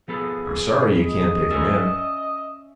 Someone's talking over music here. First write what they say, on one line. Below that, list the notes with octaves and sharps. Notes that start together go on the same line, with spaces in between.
I'm sorry you can't take him in.
F3 B3 G#4 A4
D#5
C#4 D5 E5